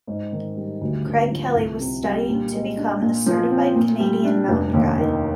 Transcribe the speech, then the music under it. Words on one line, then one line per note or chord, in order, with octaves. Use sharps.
Craig Kelly was studying to become a Certified Canadian Mountain Guide.
G#2
D#3
G3
D2
D3
F3
C2
C3
G3
A#2
G#3
D4
A#2
F3
C4
A#2
G3
D4
F1
D#2
D#3